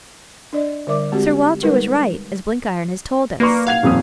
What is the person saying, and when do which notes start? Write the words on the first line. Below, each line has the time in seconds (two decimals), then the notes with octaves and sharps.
'Sir Walter was right, as Blenkiron has told us.
0.53 D4 D5 D#5
0.87 D3 G3 A#4 D5 E5 D6
1.12 G#3 C4 F#4 G4
1.63 G3 G#3 D#4 A#4 B4
3.40 A#3 B4 D5 C#6
3.67 F5 F#5 G#6 F7
3.83 D#1 F2 D#6